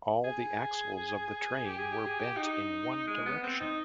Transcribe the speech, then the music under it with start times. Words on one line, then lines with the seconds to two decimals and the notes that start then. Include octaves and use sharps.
All the axles of the train were bent in one direction.
0.24 G#4
1.65 G4
1.78 G#4
1.92 G4
2.06 G#4
2.19 G4
2.37 D#4
3.07 G#3
3.26 B3
3.43 C4
3.61 D#4